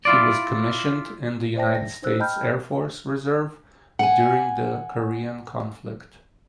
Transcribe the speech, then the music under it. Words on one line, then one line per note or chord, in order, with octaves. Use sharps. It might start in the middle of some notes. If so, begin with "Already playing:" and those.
He was commissioned in the United States Air Force Reserve during the Korean Conflict.
E4 F4 D5
C5 D5 E5 G5 A5 A#6
A#6
D#4 C5 E6 F#6
D#5 G5 A5 B5 F6 G6
F#5 G#5